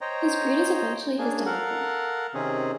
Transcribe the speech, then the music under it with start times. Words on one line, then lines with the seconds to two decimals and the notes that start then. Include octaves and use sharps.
His greed is eventually his downfall.
0.01 C5 C#5 D#5 G5 A#5
1.18 A#3 C#4 D4 G#4
1.46 A4 A#4 F5 F#5
2.34 C3 D#3 C4 C#4 G#4